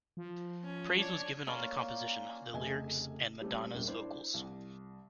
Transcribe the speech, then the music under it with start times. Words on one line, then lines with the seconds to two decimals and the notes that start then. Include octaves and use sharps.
Praise was given on the composition, the lyrics and Madonna's vocals.
0.17 F3
0.65 C#4
0.99 D4 C#5
1.47 A#3 C#4 F4 D5
2.53 F1 C#3 A3 D#5 E5 G#5
3.42 G3 A3 C4 C#4
3.74 E1 A#1 G2
3.87 D4 E4 C5
4.34 C2